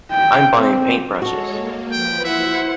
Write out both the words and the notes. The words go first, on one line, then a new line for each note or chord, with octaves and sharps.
I’m buying paintbrushes.
G5
C4
G#3 F#4 A4 C#5 A5
A#3
F3 B4 G5
E4 C5 E5 F#5